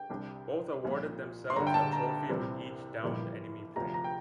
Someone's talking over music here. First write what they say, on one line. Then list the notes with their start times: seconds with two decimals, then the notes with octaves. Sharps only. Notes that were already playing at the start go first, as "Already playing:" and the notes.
Both awarded themselves a trophy with each downed enemy plane.
Already playing: G5
0.10 C2 C3 G3 D4
0.83 C2 A#2 F3
1.50 C6
1.56 G1 G2 D3 A#5
1.67 G5
1.74 A5
1.92 A#5
2.29 C2 C3 E3 G3 C4
3.03 G1 F2 E3 G3 A#3
3.76 D2 C3 F3 A#5
3.94 A#5
4.04 G5